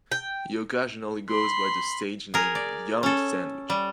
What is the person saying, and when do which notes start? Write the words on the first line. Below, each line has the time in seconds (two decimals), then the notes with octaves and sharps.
He occasionally goes by the stage name Young Sandwich.
0.12 G5
1.29 B5 C6
2.34 G#4 A#4
2.55 D5
3.03 C#4 A4
3.70 G3